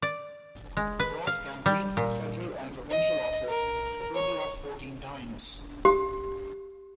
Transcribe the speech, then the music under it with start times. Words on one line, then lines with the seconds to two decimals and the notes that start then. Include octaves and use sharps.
Ross campaigned for federal and provincial office a total of fourteen times.
0.02 D5
0.77 G#3
0.99 B4
1.27 F5
1.66 G3
1.97 A#2
2.91 D#5
3.48 A#4
4.15 C#5
5.85 G4